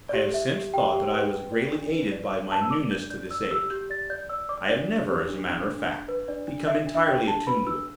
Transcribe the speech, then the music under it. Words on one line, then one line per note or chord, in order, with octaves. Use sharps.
I have since thought that I was greatly aided by my newness to this age. I have never, as a matter of fact, become entirely attuned to it.
G4 D5
G4 E5
G4
G4 G5
G4
B4
B4
D5
D4
B4
D5
D4
B4 A5
E6
D5 D6
D4 G6
D5 G6
D5 E6
G4 E6
G4 G6
D5 A6
D5 G6
D5 E6
D5 D6
D4 D5
D4
G4
D4
D4
D4
D4
B4
D4 D5
D4
D4 E5
D4
E5
G4 G5
D4 A5
B4 B5
D4 E6